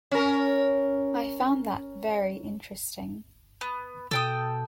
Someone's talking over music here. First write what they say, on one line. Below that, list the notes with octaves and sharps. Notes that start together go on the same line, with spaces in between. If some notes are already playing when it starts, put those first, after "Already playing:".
I found that very interesting.
C#4 A#4
B3
B2 A4 G5 D#6